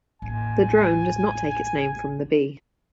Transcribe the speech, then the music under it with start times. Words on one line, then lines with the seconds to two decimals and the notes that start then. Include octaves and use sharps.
The drone does not take its name from the bee.
0.22 A1 D#2 G#5